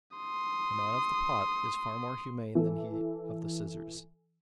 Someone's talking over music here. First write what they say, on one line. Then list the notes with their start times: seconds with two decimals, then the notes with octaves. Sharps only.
The man of the pot is far more humane than he of the scissors.
0.17 C6 D#6
2.55 E3 A4